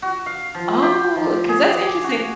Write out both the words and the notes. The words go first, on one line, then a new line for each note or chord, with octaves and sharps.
Oh, 'cause that's interesting
F#4
F5
F3
G4
F3
G#4
D6
F#4